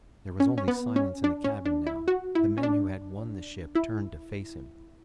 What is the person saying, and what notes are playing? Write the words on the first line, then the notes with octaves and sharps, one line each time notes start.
There was only silence in the cabin now, the men who had won the ship turned to face him.
C#4
C#4
B3
C#4
D4
C#4
D4
E4
F#4
E4
C#4
D4
E4